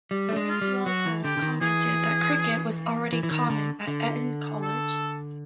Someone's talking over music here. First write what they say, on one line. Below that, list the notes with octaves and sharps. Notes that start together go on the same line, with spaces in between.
Horace Walpole commented that cricket was already "common" at Eton College.
G3
A3
G#3
F4
G3
F#3 F#4
E3
D3 G4
D3
D#3
E3 G#4
E3
E3
D#3
D3
D3
A4